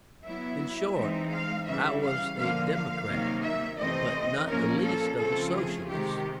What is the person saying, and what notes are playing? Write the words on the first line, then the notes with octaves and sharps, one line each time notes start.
In short, I was a democrat, but not the least of a Socialist.
F#3 B3 E4 E5
E3 G#3 C4 D#4
F5
C#3 E3 G3 E5
F5
D3 F3 A#3 F5
F5
C3 D#3 F#3 A#3 D#4
E5
C3 E3 A3 C4 D#5
A#2 F3 A#3 C#4 A#4
A4
C#3 F3 A3 C4 F4 A4
G#4
C3 D#3 G#3 G4